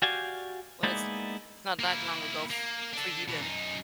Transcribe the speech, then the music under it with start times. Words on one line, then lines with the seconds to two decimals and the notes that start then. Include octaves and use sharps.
Well, it's it's not that long ago f for you then.
0.02 F#4 G4 D5 F5 G5 G#5
0.83 G#3 A#3 B3 D#4 E4 D5
1.79 A#3 E4
2.50 A#3
2.93 D4 A4
3.28 B2 E3
3.40 F#2 D#4